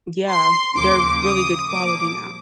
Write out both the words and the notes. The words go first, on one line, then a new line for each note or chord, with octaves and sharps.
Yeah, they're really good quality now.
C6
D#2 C#3 F3 A#3 D6
D#6
A#2 F3 A#3 D6